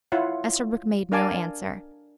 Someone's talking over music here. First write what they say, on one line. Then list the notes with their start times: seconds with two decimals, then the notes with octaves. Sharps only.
Esterbrook made no answer.
0.12 E4 F4 C#5 F#5
1.12 D4 A#4 F5 G#5 A5 D6